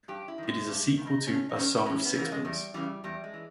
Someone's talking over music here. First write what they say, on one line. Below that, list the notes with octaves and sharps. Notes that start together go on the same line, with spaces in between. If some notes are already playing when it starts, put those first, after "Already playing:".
It is a sequel to "A Song of Sixpence".
G2 G4
E4
D#3 G3
G#3
G2 G3
D#3
D#4
G2 C#4
D#4
D#3 C#4
E2 C#4
B3
C#3 E3 A#3
G#3
E2 G3
C#3 E3 G3
E2 G3
G#3
E3